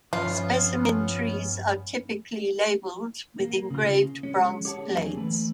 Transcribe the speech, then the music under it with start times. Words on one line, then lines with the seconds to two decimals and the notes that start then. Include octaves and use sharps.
Specimen trees are typically labeled with engraved bronze plates.
0.13 G2 F3 B3 C#4 F4 B4
3.40 A#3
3.70 C#3 F4
4.23 G#3 C#4
4.65 G4 G#4 C#5 F#5 G#5 A5
4.89 E2 F#3 G3 A#3 C#4 G#4
5.17 E3 A3 B4